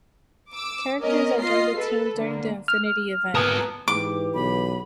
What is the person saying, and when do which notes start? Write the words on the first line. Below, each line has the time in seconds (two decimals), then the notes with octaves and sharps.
Characters that joined the team during the "Infinity" event.
0.52 D6 E6
1.02 B3 C#4 A#4 D#5
1.41 F4 D#5 C7
1.77 A4 B4
2.18 D3 A#3
2.68 F6
3.35 B3 A#4 G#5 A5 D#6
3.88 G#2 E3 G4 B4 D6
4.35 B1 B5